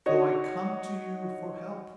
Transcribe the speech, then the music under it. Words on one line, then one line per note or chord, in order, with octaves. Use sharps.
So I come to you for help.
D#4 F#4 C#5 D#5